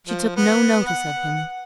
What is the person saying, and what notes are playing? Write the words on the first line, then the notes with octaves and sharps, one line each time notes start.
She took no notice of him.
F3
B3
F#5